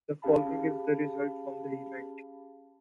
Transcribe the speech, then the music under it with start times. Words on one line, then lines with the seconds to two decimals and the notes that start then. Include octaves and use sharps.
The following is the results from the event.
0.22 C#4 G4 G#4 F5 A5 B5